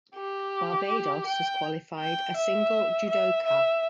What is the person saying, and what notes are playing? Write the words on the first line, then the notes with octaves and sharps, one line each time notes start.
Barbados has qualified a single judoka.
G4
G5
G5
E5
E5
E5